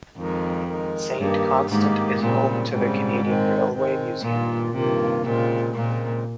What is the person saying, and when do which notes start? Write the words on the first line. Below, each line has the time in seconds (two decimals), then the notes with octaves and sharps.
Saint-Constant is home to the Canadian Railway Museum.
0.16 F2 D#3 G#3 D#4 A#4
0.67 D#3 G#3 D#4 A#4
1.18 G2 D#3 A#3 D#4 G4
1.68 G#2 D#3 A#3 D#4 G4
2.19 A#2 C#3 G3 C4
2.70 G#2 C#3 G3 C4
3.21 D#3 G#3 C4
3.72 D#3 G#3 C4
4.21 G2 A#2 D#3 A#3 F4
4.72 G2 C3 D#3 A#3 F4
5.23 A#2 C#3 G#3 C4 F4 A#4
5.74 A#2 C#3 G#3 C4 F4 A#4